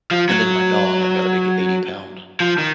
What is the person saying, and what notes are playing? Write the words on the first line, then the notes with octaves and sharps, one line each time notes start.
and then my dog I've got a big eighty-pound
F3
F#3
F3
D#3